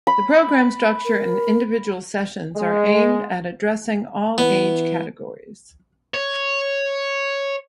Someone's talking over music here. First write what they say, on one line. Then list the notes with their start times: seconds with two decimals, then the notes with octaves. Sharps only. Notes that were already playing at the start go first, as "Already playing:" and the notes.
The program structure and individual sessions are aimed at addressing all age categories.
0.07 B5
1.05 A#4
2.56 G#3
4.38 E3 B3
6.14 C#5